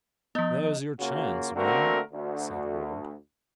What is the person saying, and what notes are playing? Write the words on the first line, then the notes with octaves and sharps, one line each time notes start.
"There's your chance, William," said Ward.
F3 B3 D#4
C#3 A#3 F4 F#4
D3 A3 A#3 C4 F#4 A#4
D2